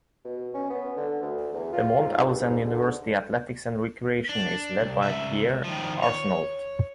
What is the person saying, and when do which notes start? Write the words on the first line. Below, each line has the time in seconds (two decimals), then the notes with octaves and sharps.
The Mount Allison University Athletics and Recreation is led by Pierre Arsenault.
0.25 B2
0.54 C#4
0.70 B3
0.96 D3
1.22 D2
1.53 E2
1.73 F4
1.99 G#2
2.26 G2
2.45 G#2
2.64 D3
4.29 D4
4.81 C2
5.03 C#2 E5
5.64 D#3 F3
6.03 C#5